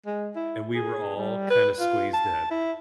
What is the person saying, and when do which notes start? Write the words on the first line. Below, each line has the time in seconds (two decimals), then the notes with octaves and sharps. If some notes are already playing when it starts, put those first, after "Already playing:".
and we were all, kinda squeezed in,
0.06 G#3
0.36 E4
0.75 G#4
1.17 G3
1.50 B4
1.80 F4
2.14 A5
2.51 E4